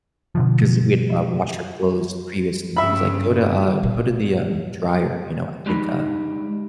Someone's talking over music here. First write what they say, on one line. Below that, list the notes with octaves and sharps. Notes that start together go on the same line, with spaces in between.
'cause we had, uh, washed our clothes previously. She was like, "Go to, uh go to the, um, dryer," you know, "I think, uh,
B2 D3 F3
G2 C#3 E5 B5
A#2
G3 G#3 D#4 A#5 B5